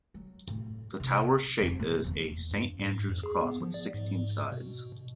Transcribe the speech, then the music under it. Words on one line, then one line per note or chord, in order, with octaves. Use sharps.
The tower's shape is a Saint Andrew's Cross with sixteen sides.
F#3
A2
C3 E4
F2 D#4
A#2 A#3
E2 F3
G2
G#2
F2
G#4
B3
F3
D5
G#2
B2